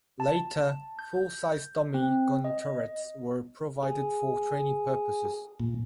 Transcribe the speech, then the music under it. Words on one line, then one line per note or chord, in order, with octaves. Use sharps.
Later, full-sized dummy gun turrets were provided for training purposes.
A5
G6
C4
D#5
G#4
A#2